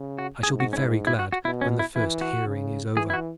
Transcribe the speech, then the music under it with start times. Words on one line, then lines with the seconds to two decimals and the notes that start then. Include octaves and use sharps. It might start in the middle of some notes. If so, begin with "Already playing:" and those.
I shall be very glad when the first hearing is over.
Already playing: C#3
0.18 F#4
0.43 G#2 G#4
0.60 F#4
0.73 C#4
0.78 E4
1.07 E4
1.19 F#4
1.32 F#4
1.45 B2 E4
1.61 C#4
1.79 E4
1.95 E3 E4
2.21 F#4
2.46 C#3
2.97 E3 G#4
3.10 E4
3.14 F#4